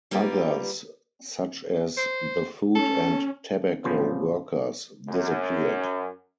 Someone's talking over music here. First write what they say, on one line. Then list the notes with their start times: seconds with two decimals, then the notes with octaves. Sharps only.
Others, such as the Food and Tobacco Workers, disappeared.
0.11 G3 A#3 F4 B4
1.97 C5
2.75 C#4 A4
3.84 A1 C#3 F3 B3 C5
5.09 F#2